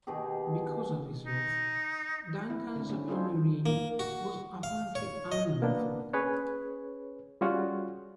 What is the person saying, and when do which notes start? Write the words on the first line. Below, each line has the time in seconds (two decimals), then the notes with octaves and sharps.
Because of his youth, Duncan's early reign was apparently uneventful.
0.07 B2 D#3 G4 G#4
1.25 D#4
2.50 E4
2.76 D3 C4
2.90 D3 C4 C#4
3.08 D#4 F4 G#4 A4 C5
3.66 A#3
3.99 F#4
4.63 F5
4.95 C#5
5.32 D#5
5.62 A#3 B3 D4
6.13 C#4 G#4 B4 C#5
7.41 G3 C#4 F4 F#4 G#4